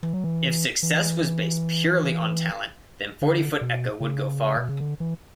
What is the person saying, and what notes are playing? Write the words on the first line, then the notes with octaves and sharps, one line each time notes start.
If success was based purely on talent, then Forty Foot Echo would go far.
E3
F#3
E3
E3
D3
B2
C#3
B2
C#3
D3
E3